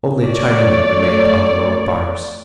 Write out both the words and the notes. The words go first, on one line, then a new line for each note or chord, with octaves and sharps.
Only Chinamen remained on the lower bars.
A3 C#5 D5